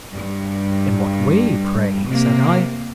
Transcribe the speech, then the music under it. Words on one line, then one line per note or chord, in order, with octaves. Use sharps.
'In what way, pray?' said I.
G2
C3 A#3